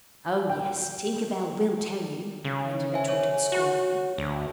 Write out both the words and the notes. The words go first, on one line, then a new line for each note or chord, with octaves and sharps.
'Oh yes, Tinker Bell will tell you,' Wendy retorted scornfully.
G5
C#3
C5 E5 G#5
C#5
F#4
D2